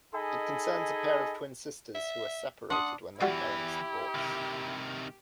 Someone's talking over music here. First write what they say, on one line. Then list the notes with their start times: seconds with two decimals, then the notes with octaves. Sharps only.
It concerns a pair of twin sisters who are separated, when their parents divorce.
0.14 D#4 G#4 A4 D#5 G#5 B5
1.95 E5
2.70 D4 F#5 C6 D#6
3.21 E2 E3 G3 E4 F#4 G4 D6
4.15 C3 D#3